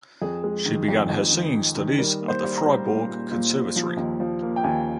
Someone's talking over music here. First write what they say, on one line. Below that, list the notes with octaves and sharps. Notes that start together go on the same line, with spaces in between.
She began her singing studies at the Fribourg Conservatory.
F2 G#4
G#3
D#3
F2
F2
D#3
D#3
D#3
G3 A#4
A#3
C5
G3
A#5
G3
A#2
A#2
A#2
A#2
F3
D#2
F3
A#3
G5
D#2 G#5